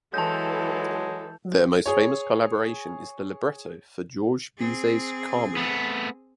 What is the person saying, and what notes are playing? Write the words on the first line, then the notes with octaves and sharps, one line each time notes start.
Their most famous collaboration is the libretto for Georges Bizet's "Carmen".
E3 F#3 G#3 A4 A5 G6
G#4 C#5
C4 G#4
A3 B3